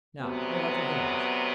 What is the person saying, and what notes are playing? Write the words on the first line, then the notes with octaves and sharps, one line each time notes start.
"Now hold out your hands."
D2 C3 F#3 B3